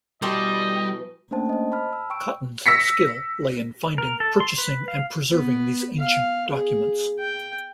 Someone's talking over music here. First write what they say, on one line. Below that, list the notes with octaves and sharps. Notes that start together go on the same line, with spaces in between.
Cotton's skill lay in finding, purchasing and preserving these ancient documents.
B2 E3 G3 A3 C5 D5 D#5 G5
A3 A#3 C#4 D4 C5 A5
C5 D#5
A5 B5 F6
E6
G5 C#6 E6 D7
E6 A#6 B6 C#7
A#4
A4
C6
B4
F5
B3
F5
G#4
G5